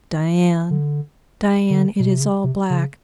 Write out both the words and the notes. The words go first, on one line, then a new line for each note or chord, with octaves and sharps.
Diane, Diane, it is all black.
D3
D3
B2
C3
C#3
C3
C#3